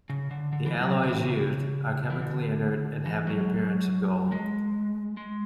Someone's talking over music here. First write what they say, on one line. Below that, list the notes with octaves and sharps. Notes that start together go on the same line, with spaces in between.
The alloys used are chemically inert and have the appearance of gold.
C#3
D3
D3
E3
F#3
D3
E3
C#3
E3
D3
E3
F#3
G#3
G#3